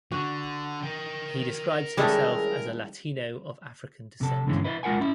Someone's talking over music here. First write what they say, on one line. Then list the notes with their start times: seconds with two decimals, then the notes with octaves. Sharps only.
He describes himself as a Latino of African descent.
0.12 D3 F#4
0.83 A#4 G5
1.97 D#3 G3 G#3 C#4 E4 G#4 A4
4.21 C3 A4
4.47 G2 D3 E3 G#3 C4 C#4
4.64 E4 B4 D#5
4.83 G#3 F4 A#4 F#5 G#5
5.00 C#4 E4